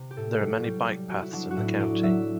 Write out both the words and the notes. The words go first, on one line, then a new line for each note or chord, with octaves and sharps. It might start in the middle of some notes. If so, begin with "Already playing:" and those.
There are many bike paths in the county.
Already playing: C3
G4
A2 A4
F#3
G3 G4
G3
F#3 F#4
E4
F#3 D4
F#4
A2 E4
F#3 D5
F#3 E5